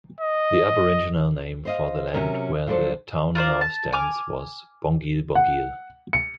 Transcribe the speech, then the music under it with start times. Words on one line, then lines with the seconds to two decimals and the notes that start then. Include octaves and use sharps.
The Aboriginal name for the land where the town now stands was "Bongil Bongil".
0.20 D#5
1.65 C5 D#5 F5
2.14 C3 F#3 C#4 A#4
2.67 F3 F#3 D4 A4 C5 D5
3.35 F4 A#4 C5 D5
3.61 A5
3.93 G#5 D6 F6
5.35 F#5
6.13 C#7